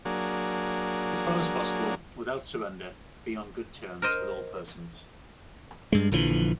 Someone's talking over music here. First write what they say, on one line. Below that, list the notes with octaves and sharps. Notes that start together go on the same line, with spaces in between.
As far as possible, without surrender, be on good terms with all persons.
F#3 A#3 D4 G#4
A#4 C5 D#5
G2 G#3
A#1 D3 E3 F3